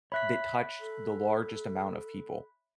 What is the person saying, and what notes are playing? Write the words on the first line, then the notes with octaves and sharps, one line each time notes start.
that touched the largest amount of people,
C#5 E5 B5 F#6 B6
A4